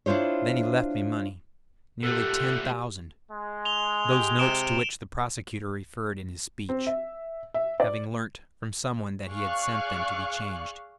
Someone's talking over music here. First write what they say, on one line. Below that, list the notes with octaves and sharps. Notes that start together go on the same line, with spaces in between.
Then he left me money, nearly ten thousand--those notes to which the prosecutor referred in his speech, having learnt from some one that he had sent them to be changed.
D4 E4 F4 C5 C#5
A#2 A3 G4 A4 F#5
G#3
F7 G7
G4
C3 D7 E7 G7
C4
E5
E5
D5
G#4 D5 F5 C#6 F#6